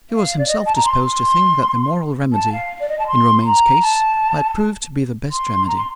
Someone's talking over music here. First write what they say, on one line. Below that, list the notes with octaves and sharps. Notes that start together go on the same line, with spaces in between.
He was himself disposed to think that the moral remedy, in Romayne's case, might prove to be the best remedy.
F5
D5
D#5
A5
A#5
C6
C6
A5
F5
D5
D#5
A5
C6
A#5
A5
C6
A#5
C6